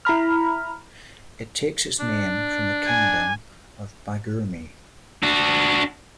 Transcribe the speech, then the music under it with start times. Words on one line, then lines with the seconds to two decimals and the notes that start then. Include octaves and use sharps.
It takes its name from the kingdom of Baguirmi.
0.05 E4 A#5 B5 F6
2.00 D4
2.87 G#5
5.23 D4 F#4